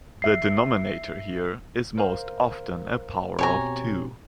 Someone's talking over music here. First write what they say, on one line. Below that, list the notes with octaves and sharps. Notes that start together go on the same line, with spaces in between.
The denominator here is most often a power of two.
E5 C7
A#4 C5 F5
B2 C4 G4 C#5 G#5 A#5